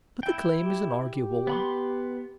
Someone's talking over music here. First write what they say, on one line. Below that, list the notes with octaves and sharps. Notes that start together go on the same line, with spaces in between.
But the claim is an arguable one.
E4 G5
G4
G4
B3 B5 C6